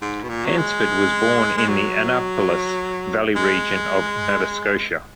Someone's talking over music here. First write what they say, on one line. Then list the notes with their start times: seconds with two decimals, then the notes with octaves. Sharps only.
Hansford was born in the Annapolis Valley region of Nova Scotia.
0.01 G#2
0.23 B2
0.29 A#2
0.46 F#3
0.58 G#3
1.57 G#3
1.68 F#3
3.36 G#3